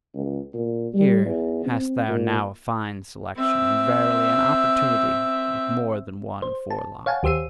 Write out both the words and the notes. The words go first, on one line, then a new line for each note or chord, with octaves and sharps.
Here hast thou now a fine selection, and verily, an opportunity with more than one forelock!
C#2
A#2
G3
E2
C4
A#2
C4 E5
C5
A5
C#5 F5 F#5 G#5 A5
D#2 G4 C5 E6 C7 D#7